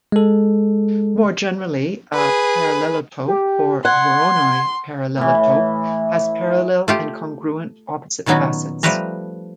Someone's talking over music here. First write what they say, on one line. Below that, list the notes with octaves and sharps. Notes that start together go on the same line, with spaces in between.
More generally a parallelotope, or "voronoi parallelotope", has parallel and congruent opposite facets.
G#3 A4
G#4 B4
G4
F#5 C6 G#6
A2 E3
A3 F4 G4
A#2 D#3 F#3 B3 C#4 F#4
F3 G3 A3 B4 A#5